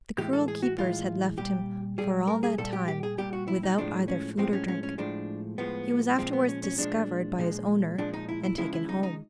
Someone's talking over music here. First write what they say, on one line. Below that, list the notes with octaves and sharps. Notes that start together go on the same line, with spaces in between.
The cruel keepers had left him for all that time, without either food or drink; he was afterwards discovered by his owner, and taken home.
A2 E3 G#3 G4
A4
G#4
F#4
A2 E3 G#3 F4
A#2 G3 G4
A#2 G3 G#4
A#4
G#4
A#2 G3 A4
G4
G4
G#4
A#2 G3 G4
F#4
E4
D#4
A2 F3 G#3 D4
C#4
A2 F3 G#3 C4
C#4
C#4
C#4
A2 F3 G#3 D4
A2 F3 G#3 B3
A#2 F3 G#3 C4
B3
C#4
C#4
A#2 F3 G#3 D4
A#2 F3 G#3
A#2 F3 G#3 D4
D#4
E4
E4
C#3 F3 G#3 E4
E4
D#4
D#4